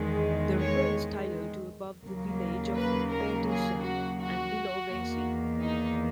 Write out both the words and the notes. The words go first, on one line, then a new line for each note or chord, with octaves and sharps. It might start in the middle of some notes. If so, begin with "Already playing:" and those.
The river is tidal to above the village of Paterson and below Vacy.
Already playing: E2 D#3 G#3
C#5
D#2 C#3 F#3 A#3
B4
A#4
G#4
F#4
F#4
E2 D#3 A#3
D#4